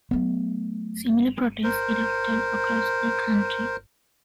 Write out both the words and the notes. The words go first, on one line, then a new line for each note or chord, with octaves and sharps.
Similar protests erupted across the country.
F#3 A3 B3
A#4 C5